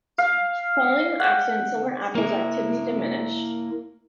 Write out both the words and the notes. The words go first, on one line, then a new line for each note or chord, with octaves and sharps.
Following the accident, Silver Apples' activity diminished.
F5
F#5 G5
A#3 E4